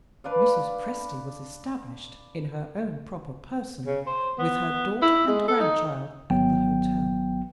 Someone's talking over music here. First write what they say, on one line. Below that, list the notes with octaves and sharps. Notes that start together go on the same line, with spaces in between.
Mrs. Presty was established, in her own proper person, with her daughter and grandchild at the hotel.
D4 B4 D5 F5
C#3
C5
B3
E4
G#3
A4
D#4
G#1 F#3 B3 G5